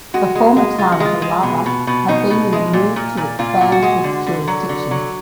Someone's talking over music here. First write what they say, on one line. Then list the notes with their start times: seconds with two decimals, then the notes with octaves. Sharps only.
The former town of Alava had been in a move to expand its jurisdiction.
0.14 G#3 F#4
0.35 G#3
0.57 G#3
0.78 G#3 F4
0.92 F#4
1.00 G#3 F4
1.22 G#3
1.43 B2
1.66 B2
1.87 B2
2.08 B2 D#4
2.30 B2
2.52 G#3
2.73 A#2
2.96 A#2
3.17 A#2
3.39 A#2 F4
3.61 A#2
3.72 F#4
3.82 G#3
4.04 D3
4.27 D3
4.48 F#3
4.69 D3
4.91 F#3